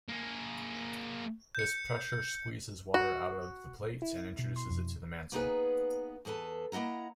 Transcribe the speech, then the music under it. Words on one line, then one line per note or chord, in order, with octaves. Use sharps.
This pressure squeezes water out of the plate and introduces it to the mantle.
A#3 G#4
G6 C#7
F#4
E4
B2
C6
F2
A#3 B3 D#4 F4 G#4 B4
E2 G#4 A4 B4 A5
A#3 E4 D#5 F#5 A#5